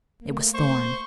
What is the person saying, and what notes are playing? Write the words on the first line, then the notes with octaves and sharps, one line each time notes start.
It was Thorn.
A3 A#3
C5 C#6